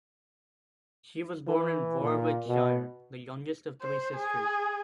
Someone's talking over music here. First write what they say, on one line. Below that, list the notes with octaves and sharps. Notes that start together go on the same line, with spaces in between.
She was born in Warwickshire, the youngest of three sisters.
E3
A#2
B2
C5
G#4